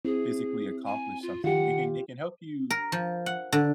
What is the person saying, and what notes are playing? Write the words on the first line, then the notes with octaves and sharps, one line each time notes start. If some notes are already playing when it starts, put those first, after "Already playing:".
physically accomplished something. It can it can help you
C4 E4 G#4
G#5
F4
D#3 F4 G4 F#5
A#4
F3
F#5
D3